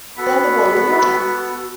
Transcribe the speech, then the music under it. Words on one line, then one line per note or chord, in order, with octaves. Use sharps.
Then the boy was in your house!
B3 F#4 A4 F#5 B5